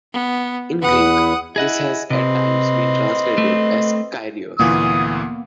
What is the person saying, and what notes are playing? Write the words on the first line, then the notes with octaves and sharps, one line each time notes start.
In Greek, this has at times been translated as "Kyrios".
B3
E2 B4 F#5 D#6
E4 G#4 D#5 F#5
C3 C4 B4 D#5
A3
D2 A#2 E3 A#3 B3 D#6